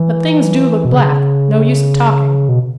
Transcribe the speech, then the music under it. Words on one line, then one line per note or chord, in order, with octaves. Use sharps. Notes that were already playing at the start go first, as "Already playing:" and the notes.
But things do look black, no use of talking.
Already playing: E3
B2
C#3
B2